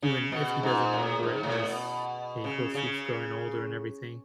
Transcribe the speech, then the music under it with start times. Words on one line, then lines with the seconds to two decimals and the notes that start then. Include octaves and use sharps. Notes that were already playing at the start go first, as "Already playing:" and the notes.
even if he doesn't remember it as he gro keeps growing older and everything,
0.02 C#3
0.32 B2
0.63 G#2
0.93 A2
1.23 G#2
1.43 A2
1.64 B2
2.44 C#3
2.75 C#3